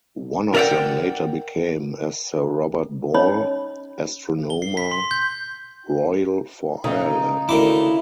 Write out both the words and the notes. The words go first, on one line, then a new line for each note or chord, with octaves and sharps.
One of them later became, as Sir Robert Ball, Astronomer Royal for Ireland.
A#4 D5 E5 F#5 G5
C#4 D#4 C#5 D#5 B5
G7
C7
B6
C6
G6
C#3 D#4
D2 D#3 E4 D6